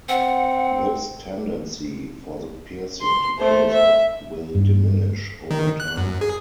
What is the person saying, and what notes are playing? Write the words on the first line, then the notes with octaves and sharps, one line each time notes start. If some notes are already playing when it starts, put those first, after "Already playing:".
This tendency for the piercing to close up will diminish over time.
C4 F#5
C6
A3 C5
E5
G2
D#3
F#6
F#2
G#4